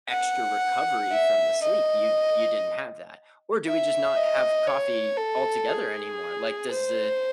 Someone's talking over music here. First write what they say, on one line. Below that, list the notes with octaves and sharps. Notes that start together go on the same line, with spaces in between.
extra recovery from the sleep- you you didn't have that- or do we just not have coffee altogether anymore? Like, does the
F#5
E5
D#5
E5
D#5
C#5
A4
G#4
C5